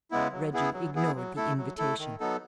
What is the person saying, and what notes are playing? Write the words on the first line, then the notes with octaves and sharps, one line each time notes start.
Reggie ignored the invitation.
C#3 G#3 B3 E4
F#3
B3 E4 G#4
F#3
B3 E4 G#4
F#3
A3 E4 A4
F#3
A3 E4 A4
D#3
F#3 B3 D#4 A4